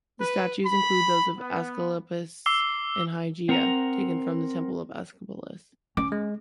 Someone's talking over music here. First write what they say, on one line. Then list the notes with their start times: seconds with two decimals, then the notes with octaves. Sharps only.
The statues include those of Aesculapius and Hygieia, taken from the temple of Aesculapius.
0.21 B4
0.65 B5
1.39 B3
2.46 D6 E6 C7 G7
3.49 C4 A#4 F#5 A#5
5.97 C#4 D6
6.12 G#3